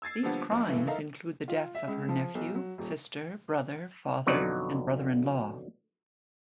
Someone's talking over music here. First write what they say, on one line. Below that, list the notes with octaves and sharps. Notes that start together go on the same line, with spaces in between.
These crimes include the deaths of her nephew, sister, brother, father and brother-in-law.
E6 G#6 A6 C7
D3 F3 G3 A#3 B3 D4
F#1 F2
G2 E3 A3
D#4 A4 A#4 E5 F5
F4
E5
C#2
F3
B1
F#3
D#1
F2 B2 D3 F#3 D#4 D5